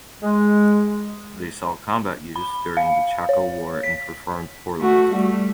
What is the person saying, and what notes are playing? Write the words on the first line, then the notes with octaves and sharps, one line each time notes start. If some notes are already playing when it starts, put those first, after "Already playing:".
They saw combat use during the Chaco War and performed poorly.
G#3
B5
F5
C#5
B6
A3 F#4
G3 A3